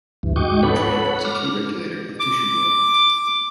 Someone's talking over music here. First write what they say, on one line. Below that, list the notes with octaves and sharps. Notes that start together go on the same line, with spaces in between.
Nutrient is a key regulator of tissue growth.
D2 G2 E3
G#2 F#4 D#5 G5 C#6 D6
A4 B4 C#5 F#5 B5
D6 F6 A#6
D6